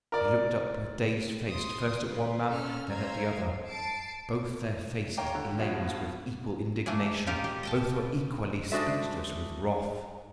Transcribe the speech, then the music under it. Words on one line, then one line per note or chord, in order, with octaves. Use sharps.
He looked up with dazed face first at one man, then at the other: both their faces blazed with equal indignation; both were equally speechless with wrath.
A#4 D5
C6 D#6
F4 A#4 B4 C#5
C#4 A4 F6
C5 F5 A#5 E6 G#6
A5 A6 C7 D7
C#5 F5 G5 A#5
D3
G2 B2 F3 F5 F#5
A3 A#3 D4 G#4
A#2 D#4 F4 G4 A#4
G4
D#5 G5 A5
G#3 D4 F#4 A4 C5 E5